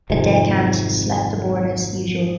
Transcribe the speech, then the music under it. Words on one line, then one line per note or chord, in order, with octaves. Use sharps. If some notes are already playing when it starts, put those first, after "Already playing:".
A deck hand slept aboard as usual.
G#1 F2 C3